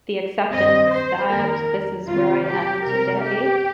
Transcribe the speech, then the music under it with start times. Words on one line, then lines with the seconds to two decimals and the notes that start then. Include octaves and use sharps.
the acceptance that this is where I am today.
0.53 G2 D#3 C4 D#5
0.92 C5
1.31 F2 D#3 A#3 A#4
2.07 F2 C3 D#3 G3 C4 F4
2.46 G4
2.85 C3 G3 C4 A#4
3.23 G4